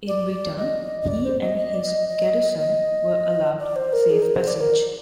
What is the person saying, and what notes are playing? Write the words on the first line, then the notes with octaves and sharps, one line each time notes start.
In return, he and his garrison were allowed safe passage.
D5
D#5
D#5
D5
C5
D#5
D#5
D5
D#5
D#5
D#5
D5
C5
A#4
G#4
A#4
C5
D5
A#4